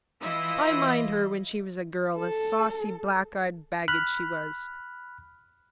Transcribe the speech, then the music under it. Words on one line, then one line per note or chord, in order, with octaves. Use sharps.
I mind her when she was a girl--a saucy, black-eyed baggage she was!
E3 E4 F4 D#5
A4
B5 F6 F#6